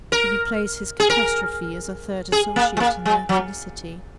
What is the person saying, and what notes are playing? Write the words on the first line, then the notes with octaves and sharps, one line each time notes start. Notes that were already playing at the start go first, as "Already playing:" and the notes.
Should he place his catastrophe as a third associate in their felicity?
A#4
G#4
A#4
G#4
A#3
G#3
A#3
G#3
F#3